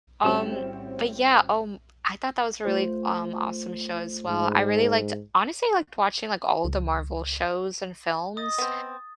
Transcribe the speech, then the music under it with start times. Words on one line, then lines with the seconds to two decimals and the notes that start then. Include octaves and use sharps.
um, but yeah, um, I thought that was a really, um, awesome show as well, I really liked honestly liked watching, like, all of the Marvel shows and films,
0.23 A2 G3 C4 C#4 F#4 E7
2.65 A3 F4 C5
4.27 G#2
6.65 C#2
8.37 D#5 D#6 A6
8.58 B3 C4